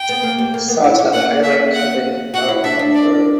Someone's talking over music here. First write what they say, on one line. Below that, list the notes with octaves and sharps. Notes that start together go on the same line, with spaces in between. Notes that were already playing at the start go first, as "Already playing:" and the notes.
Soils with a high lime content are preferred.
Already playing: G5
B3
A#3
G3
A#3
B3
E4
C#4
A#3 F#5
E5
F#5
F#4 F#5
E4
D4 E5
D4
D5